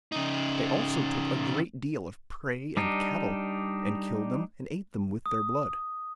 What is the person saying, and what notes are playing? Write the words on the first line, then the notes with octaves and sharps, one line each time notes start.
They also took a great deal of prey and cattle, and killed them, and ate them with their blood.
C#3 D#4
G3 D4 D#4
D#6